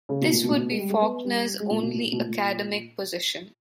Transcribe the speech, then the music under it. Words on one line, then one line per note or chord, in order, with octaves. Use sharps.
This would be Faulkner's only academic position.
C#3
B2
A#2
B2
A#2
B2
G#3
G3
G#3
B3
G3
G#3
A#2
B2
A#2
B2
A#2
A#2